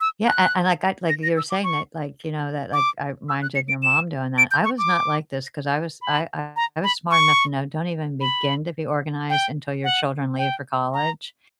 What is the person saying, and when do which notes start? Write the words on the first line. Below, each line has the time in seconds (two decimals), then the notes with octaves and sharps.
Yeah, a and like, I like you were saying that, like, you know, that, like, it reminds you of your mom doing that. I was not like this 'cause I was I I was smart enough to know don't even begin to be organized until your children leave for college.
0.01 E6
0.28 F#6
1.09 A#6
1.23 A#6
1.37 E6
1.50 D6
1.64 C#6
2.73 D6
3.29 E6
3.42 F#6
3.55 C#7
3.69 D7
3.83 E7
4.38 D7
4.51 G6
4.65 C#6
4.78 D6
6.02 B5
6.56 A#5
6.84 B5
7.11 C#6
8.21 B5
9.30 G5
9.84 F#5
10.38 G5
10.94 A#5